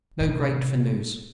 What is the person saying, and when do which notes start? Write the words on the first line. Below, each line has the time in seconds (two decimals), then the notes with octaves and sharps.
No great for news.
0.21 A2 C3